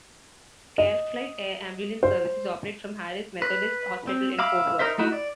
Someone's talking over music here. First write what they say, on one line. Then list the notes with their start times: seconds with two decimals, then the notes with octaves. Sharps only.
CareFlite air ambulance services operate from Harris Methodist Hospital in Fort Worth.
0.78 D#5
2.03 C5
3.42 B4
4.07 C4
4.39 E5 F5 B5 D6
4.79 D#4 A#4 C5 E5
4.98 A3 D#4 E4 F#4
5.12 D5